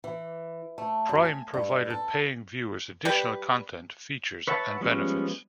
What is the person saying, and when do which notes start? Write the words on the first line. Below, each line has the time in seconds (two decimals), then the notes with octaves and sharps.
Prime provided paying viewers additional content, features, and benefits.
0.04 E3
0.78 A3
1.09 F#2
1.25 G#5
1.54 G2
1.90 A4
3.05 G3 B4
4.47 B4 C#5 E5 F#5 A5
4.81 F3 G3 G#3 B3 C#4